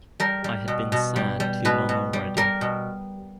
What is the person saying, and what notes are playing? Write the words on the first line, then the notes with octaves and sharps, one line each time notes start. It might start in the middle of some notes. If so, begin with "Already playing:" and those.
I had been sad too long already.
G3 A#4
G3
B2
B2
G3
G3
B2 B4
B2
G3
G3 A#4
B2